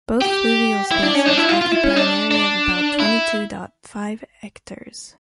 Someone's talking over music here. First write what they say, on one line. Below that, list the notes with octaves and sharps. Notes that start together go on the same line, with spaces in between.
Both fluvial spaces occupy an area of about twenty-two dot five hectares.
G4
E4
D4
C#4
D4
E4
F4
F4
E4
C#4
D4
D4
E4